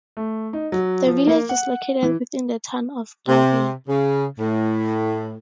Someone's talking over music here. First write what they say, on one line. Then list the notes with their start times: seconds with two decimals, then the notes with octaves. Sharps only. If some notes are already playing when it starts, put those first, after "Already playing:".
The village is located within the Town of Darien.
0.17 A3
0.53 D#4
0.72 F#3
1.07 F3
1.27 A#3
1.49 F#5
2.03 E3
3.28 C3
3.88 C#3
4.39 A2